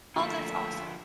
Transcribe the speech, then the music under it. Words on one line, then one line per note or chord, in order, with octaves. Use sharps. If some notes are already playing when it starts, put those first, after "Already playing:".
Oh, that's awesome.
D3 F3 A3 A#3 F4 E5 C#6